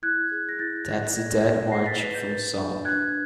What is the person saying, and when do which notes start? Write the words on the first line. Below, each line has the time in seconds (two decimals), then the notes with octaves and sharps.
That's the Dead March from 'Saul'.
0.03 E4 F#6 G#6
0.31 G#4
0.49 A#6
0.59 E4 G6 A6
0.88 D5
1.15 E4 G#6 A#6
1.44 B4
1.72 G#4 A#6 C7
1.86 A6 B6
2.01 B4 A6 B6
2.14 G6 A6
2.29 A#4
2.56 D4
2.85 D4 F#6 G#6